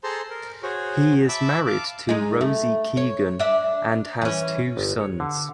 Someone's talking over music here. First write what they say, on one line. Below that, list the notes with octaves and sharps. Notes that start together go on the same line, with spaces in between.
He is married to Rosie Keegan and has two sons.
G#4 A4 C5 A5 A#5 C6
A#4
F#4 G#4 C5 C#5
E5 A5 B5 D6 E6
F5 A5 D6
G#3 D#4
A3
C#5
D4 E5
E3 C#4
G1
C#5
D3